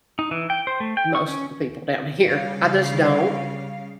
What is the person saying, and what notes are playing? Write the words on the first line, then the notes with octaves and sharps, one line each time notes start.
most of the people down here, I just don't.
D#4
E3
G5
C5
A3
G5
C#6
C#4
C#3 G3 F5